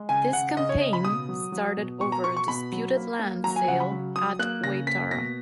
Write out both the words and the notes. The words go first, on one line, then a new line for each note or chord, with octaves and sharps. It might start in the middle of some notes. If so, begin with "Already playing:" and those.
This campaign started over a disputed land sale at Waitara.
Already playing: G#3
C#3 G#5
C#3 F#5
C#3 D#5
C#5
C#3 D#5
B5
B2 D#6
F#3
F#3
B2
B2 C#6
A#5
B2 C#6
C#6
B2 B5
F#3
A#3
A#3
F#3 A#5
G#5
C#3 F#5
B5
F#3
F#3 D#6
A#3 F#6
C#3 A#6
A#3 B6
B2 A#6